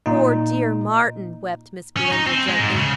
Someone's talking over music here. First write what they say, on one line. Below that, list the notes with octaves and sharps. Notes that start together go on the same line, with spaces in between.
"Poor, dear Martin!" wept Miss Belinda gently.
A#2 D#4
C#4
D#4
C4
G#3
G#2
C#3